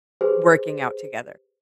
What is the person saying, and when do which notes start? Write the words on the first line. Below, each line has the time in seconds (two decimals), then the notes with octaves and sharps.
working out together.
0.21 G4 G#4 B4 C5